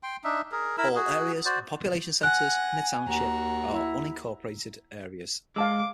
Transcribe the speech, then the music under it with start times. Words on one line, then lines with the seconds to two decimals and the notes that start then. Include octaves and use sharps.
All areas and population centers in the township are unincorporated areas.
0.03 G5 C6
0.24 D4 D#4 E5
0.52 G#4 A#4
0.78 E4 A#4 B5 E6
0.95 F#4 G#4
1.45 F#4 C5 D5
2.23 F#5 G#5 F#6 A#6
3.06 D#2 F#4 A#5
3.72 E4
5.56 G#3 F5 A5 D6 E6